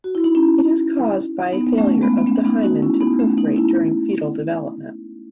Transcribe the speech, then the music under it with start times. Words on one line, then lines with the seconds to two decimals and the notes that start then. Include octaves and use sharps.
It is caused by a failure of the hymen to perforate during fetal development.
0.04 F#4
0.15 E4
0.24 D#4
0.35 C#4 E4
1.53 B3 D#4
1.67 B3
1.78 A3 C#4
2.01 G#3 B3
2.18 B3
2.26 A3 C#4
2.45 B3 D#4
2.63 D#4 F#4
2.82 C#4 E4
3.01 B3 D#4
3.19 A3 C#4
3.37 B3 D#4
3.57 C#4 E4